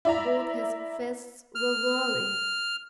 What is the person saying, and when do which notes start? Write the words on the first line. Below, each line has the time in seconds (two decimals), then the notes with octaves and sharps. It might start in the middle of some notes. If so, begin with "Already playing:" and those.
Both his fists were whirling.
0.05 E4 D5 E5 A#5
1.55 F6